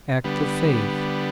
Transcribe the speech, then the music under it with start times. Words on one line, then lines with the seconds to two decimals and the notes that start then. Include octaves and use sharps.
Act of Faith.
0.24 D3 G3 B3